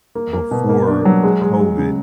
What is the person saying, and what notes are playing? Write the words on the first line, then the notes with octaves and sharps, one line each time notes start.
before COVID,
A#3
A#3
B2
A#3
D4
F#3
G#3
G#3
G#3
C#3